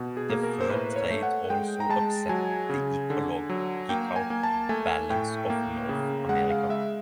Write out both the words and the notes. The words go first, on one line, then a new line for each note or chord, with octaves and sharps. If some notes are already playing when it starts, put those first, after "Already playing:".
The fur trade also upset the ecological balance of North America.
Already playing: B2
G#4
A#3
A#4
C5
A2 B4
C#5
A3
F#5
G#3 G5
A#5
G#3 A5
F#3 G#5
C#3
D3
F#3
A#3 G5
G#5
A#3
A5
A3 G#5
A2 G5
A#3
C#3
G#3 F#5
F5
G#3 E5